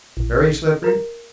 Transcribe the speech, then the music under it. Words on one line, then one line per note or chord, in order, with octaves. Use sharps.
"Very slippery?"
A#1
A#4